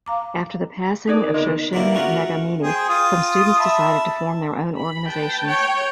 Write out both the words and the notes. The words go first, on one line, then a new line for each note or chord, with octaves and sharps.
After the passing of Shoshin Nagamine, some students decided to form their own organisations.
F5 A#5 D6
D4 D#4 G#4 A#4 D5
D3 B3 F4 A#4 D#5
D3 E3 A#3 D4 E4
A3 C#4 F4 F#4 A#4
G#4 C5 G5
F4 D#6
E5 A5 B5
B5
B4 G5 A5
C#5 G5